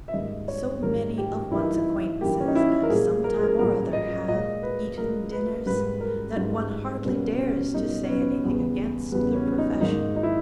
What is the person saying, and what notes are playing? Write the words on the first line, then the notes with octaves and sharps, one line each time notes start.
So many of one's acquaintances at some time or other have "eaten dinners" that one hardly dares to say anything against the profession.
E5
G#2 D#3 G3 A#3 D#5
C#5
G#2 D#3 G3 A#3 A#4
G4
G2 E3 A#3 E4
D#4
E4
G2 E3 A#3 G4
C#4
D#4
E4
A#4
A#2 G3 A#3 G#4
A#4
G#4
A#4
A#2 G3 A#3 A#4
D#5
A#2 G#3 D#5
B4
A#2 G#3 A#4
B4
G#2 G3 A#3 B4
A#4
G#2 G3 A#3 D#4
B2 G3 A#3 C#4
C#4
B2 G3 A#3 D#4
C#4
B3
E2 C#3 G3
E2 C#3 G3 B3
C#4
D#4
G#2 D#3 A#3 D#4
D#4
E4